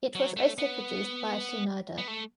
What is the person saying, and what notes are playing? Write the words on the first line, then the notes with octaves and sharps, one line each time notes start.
It was also produced by Shinoda.
F#3
A3
B3
B3
A3